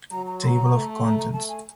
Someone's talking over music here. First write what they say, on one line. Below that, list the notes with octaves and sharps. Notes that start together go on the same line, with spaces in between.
Table of Contents.
F#3 A#5
A#5
C6
A#5
A3
A#5
A#5
A3 A5
G#5